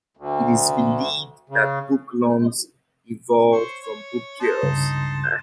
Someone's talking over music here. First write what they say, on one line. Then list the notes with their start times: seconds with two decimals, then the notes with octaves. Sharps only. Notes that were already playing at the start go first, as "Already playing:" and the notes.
It is believed that book lungs evolved from book gills.
0.17 D2
1.49 C#3
3.52 C5 C#5 C#6
3.81 C#5
4.40 D#4 A5 C6
4.63 C#2 G2 C#3